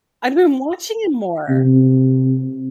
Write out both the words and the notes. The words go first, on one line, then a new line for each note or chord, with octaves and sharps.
I've been watching him more.
C3